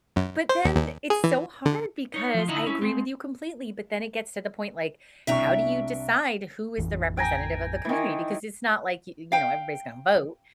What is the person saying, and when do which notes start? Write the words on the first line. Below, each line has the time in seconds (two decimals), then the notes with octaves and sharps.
But then it's so hard because I agree with you completely, but then it gets to the point, like, how do you decide who is the representative of the community, because it's not like y you know, everybody's gonna vote,
0.16 F#2
0.49 C5
0.65 D#2
0.77 D#2
1.10 G#4
1.24 E3
1.65 D3
2.14 D#4 C#5
2.34 F3 F4
2.48 D3 D#4 E4 D#5 A#5
2.67 C#4 E4
2.82 G#3 C4
5.27 C2 D4 E5 G5 A#5 C#6
6.78 A1 F2 E3
7.17 G5 G#5 A#5
7.85 D#3 E3
9.32 F5 G5